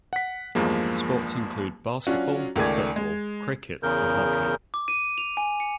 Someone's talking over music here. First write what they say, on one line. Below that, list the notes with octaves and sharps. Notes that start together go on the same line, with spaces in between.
Sports include basketball, football, cricket and hockey.
F#5 B6
E2 G2 F3 G#3 A#3
F#3 C#4 D4 F4 F#4
C#2 D#3 A3 D5 G#5 G#6
G#3
E2 C#3 A#4 G6
D6
D#7
F7
G#5
C#7